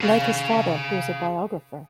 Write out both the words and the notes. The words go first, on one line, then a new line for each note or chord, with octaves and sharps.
Like his father he was a biographer.
G#4 F5